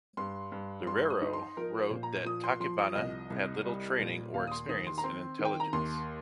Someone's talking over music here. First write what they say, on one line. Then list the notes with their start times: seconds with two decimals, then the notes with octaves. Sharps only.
Loureiro wrote that "Tachibana had little training or experience in intelligence".
0.17 G2 C6
0.52 G2
0.87 G2 C6
1.10 D#6
1.22 D#4
1.33 C6
1.57 F3 A#4
1.79 C5
1.91 A#2
2.03 A#5
2.25 F3 D#6
2.44 C6
2.60 F3 C6
2.78 D#6
2.96 C2 D#5
3.30 C2
3.65 G3
3.99 A#2
4.34 D#2 F5
4.47 D#6
4.51 C6
4.69 D#3 D#6
4.87 C6
4.98 A#5
5.04 C4 C6
5.39 D#3
5.45 G5
5.60 A#5
5.73 D#2 C6